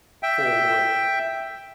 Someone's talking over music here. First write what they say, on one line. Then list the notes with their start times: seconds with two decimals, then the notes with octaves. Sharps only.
for what
0.23 E5 G5